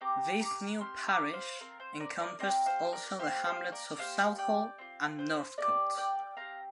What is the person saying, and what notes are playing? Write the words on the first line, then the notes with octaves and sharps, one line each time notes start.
This new parish encompassed also the hamlets of Southall and Northcotte.
C4 G4 A#5 D6
A#5 D6
C4 G4 C6 F6
A#5 D6
C5 F5
C4 F4 A#4
C5
A#4 D5
A#4 D5
C4 G4 A#4 D5
C5 F5
A#4 D5
A#3 G4 C5 F5
C5 F5
A#4 D5
A#3 G4 C5 F5
D5 G5
C4 F4
C5
A#3 G4 A#4 D5
D5 G5
C4 G4 F5 A#5